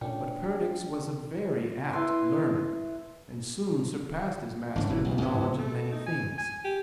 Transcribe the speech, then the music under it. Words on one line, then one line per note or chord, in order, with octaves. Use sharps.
But Perdix was a very apt learner, and soon surpassed his master in the knowledge of many things.
A#2 A3 C#4 D4 G5
E4 B4 C6
G#1 C#2 G#2 D3
F#1 C3 C#4 E4
B1
C#2 A2 B3
D#1 F2
A3
D#4
G#5
G#5
G4